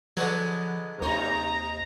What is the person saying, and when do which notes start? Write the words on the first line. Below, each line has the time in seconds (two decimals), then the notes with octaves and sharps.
go out.
0.17 D3 F3 F#3 G#3 B3
1.02 D#2 C3 D#4 A#5